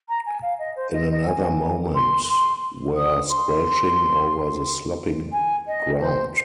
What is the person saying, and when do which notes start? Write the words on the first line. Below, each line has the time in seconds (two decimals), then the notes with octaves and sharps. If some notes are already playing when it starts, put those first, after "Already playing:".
In another moment were squelching over the sloppy ground.
0.09 A#5
0.26 G#5
0.42 F5
0.59 D#5
0.76 C5
0.93 D#5
1.10 D#5
1.27 G#5
1.95 C6
2.28 C6
2.96 D#6
3.29 C6
5.32 G#5
5.67 D#5
6.00 C5